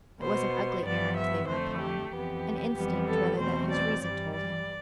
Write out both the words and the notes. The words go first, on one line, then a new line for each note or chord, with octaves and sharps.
It was an ugly errand they were upon, an instinct rather that his reason told him.
B2 B3 C5
G2 F3 B3 D5
E5
F2 D3 A3 C5
G4
F2 E3 B3 G4
F2 E3 G3 B3
A4
E2 B2 A3 C4 C5
D5
G2 E3 G3 D5
D5